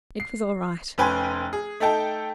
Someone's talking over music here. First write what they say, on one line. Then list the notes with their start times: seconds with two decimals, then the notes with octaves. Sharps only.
"It was all right."
0.20 C7
0.98 F1 C#4 B4 G5 G#5 C6
1.53 G#4
1.80 A3 D#4 A4 G5 A5